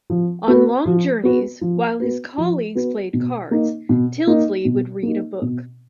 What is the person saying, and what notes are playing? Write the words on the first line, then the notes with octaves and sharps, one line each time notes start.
On long journeys, while his colleagues played cards, Tyldesley would read a book.
F3
B3 F#4 B4
F3
B3 F#4 B4
F3
B3 F#4 B4
F3
B3 F#4 B4
B2
A#3 D#4
B2
A#3 D#4
B2
A#3 D#4
B2